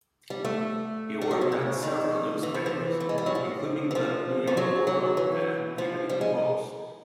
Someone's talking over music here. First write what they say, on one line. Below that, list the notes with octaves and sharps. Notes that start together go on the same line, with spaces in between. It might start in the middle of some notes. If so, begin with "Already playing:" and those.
He worked on several newspapers, including the "New York World" and "Evening Post".
G3
A3
G3
F#3
C3
C#3
D#3
E3
F3
E3
A3
G#3
G3
F#3
F3
E3
F3
F3
F#3
F#3
E3
F3
G3
G#3